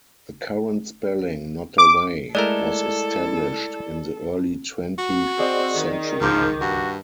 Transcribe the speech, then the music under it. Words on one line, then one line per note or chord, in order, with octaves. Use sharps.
The current spelling "Nottaway" was established in the early twentieth century.
D6
G#3 A3 E4 A4 A#4 D5
F#4
C4 G#4 D5 D#5
D#3
C#2 G#2 F3 D6 G6
G2 F#4